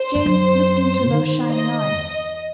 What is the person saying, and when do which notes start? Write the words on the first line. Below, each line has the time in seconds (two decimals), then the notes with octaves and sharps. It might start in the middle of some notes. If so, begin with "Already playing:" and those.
Jane looked into those shining eyes.
Already playing: C5
0.15 G2
0.26 F#2
1.10 D#3
1.52 D#5
1.94 E2